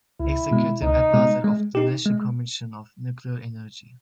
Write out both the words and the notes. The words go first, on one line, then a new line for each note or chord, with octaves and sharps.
Executive Advisor of the National Commission of Nuclear Energy.
C#2 E4
B2 G#3
C#2 D#4
B2 G#3
G#3
D#4 G4
G#3